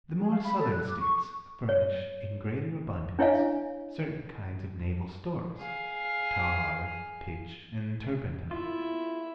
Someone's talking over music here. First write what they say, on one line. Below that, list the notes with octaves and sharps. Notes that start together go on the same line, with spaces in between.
The more southern States furnish in greater abundance certain kinds of naval stores--tar, pitch, and turpentine.
G#4
F5
B5
A4
F#6
D6
C#6
C#5
D4 E4 C#5 D#5 F5 G#5
G#4 F5
E4 F4 E5